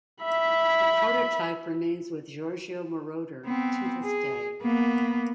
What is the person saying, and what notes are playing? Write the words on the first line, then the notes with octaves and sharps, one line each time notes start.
The prototype remains with Giorgio Moroder to this day.
E5 B5
B3 C4
G#4
A#3 B3